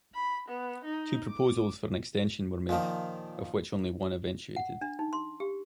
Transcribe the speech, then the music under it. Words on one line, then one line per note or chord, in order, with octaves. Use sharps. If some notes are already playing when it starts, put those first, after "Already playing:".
Two proposals for an extension were made, of which only one eventuated.
B5
B3
D#4
D6
A#2 D#3 F3
F#5
D4
D#4
C6
G4